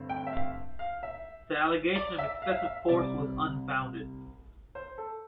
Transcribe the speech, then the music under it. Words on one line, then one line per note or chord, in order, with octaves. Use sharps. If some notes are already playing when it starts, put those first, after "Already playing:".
The allegation of excessive force was unfounded.
Already playing: G2 D3 A3 C4
G5
E5
F5
F5
E5
D5
E5
F5
E5
F5
E5
C2 C3 G3 C4 D5
C5
A4